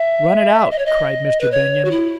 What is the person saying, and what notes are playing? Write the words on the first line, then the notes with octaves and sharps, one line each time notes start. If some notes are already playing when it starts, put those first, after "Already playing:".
"Run it out!" cried Mr. Benyon.
Already playing: E5
D#5
C#5
D#5
B4
C#5
F#4
E4